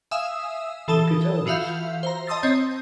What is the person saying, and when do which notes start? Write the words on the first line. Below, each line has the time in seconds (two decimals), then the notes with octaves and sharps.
Look at Elvis.
0.11 E5 F5 G#5 D#6 E6 E7
0.88 E3 A4 A5 D#6 G7
1.46 E3 F4 F#4 E5 F5 G6
2.03 C5 A#5
2.27 D#5 A5 C6 D#6 E6 A6
2.43 C4 C#5 D#5 G6